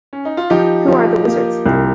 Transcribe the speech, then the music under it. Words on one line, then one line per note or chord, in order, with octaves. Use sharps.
Who are the Wizards?
C#4
D#4
F4
F3 D#4 G4
F3
A#3
C2